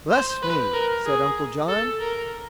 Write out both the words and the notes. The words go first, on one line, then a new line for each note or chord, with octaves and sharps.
"Bless me!" said Uncle John.
C5
B4
A#4
G#4
A4
A#4